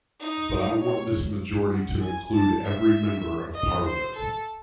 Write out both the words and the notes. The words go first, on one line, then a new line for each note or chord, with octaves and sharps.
But I want this majority to include every member of parliament.
D#4
C#5
F#5
G#5
A5
E5
D#5
C5
A4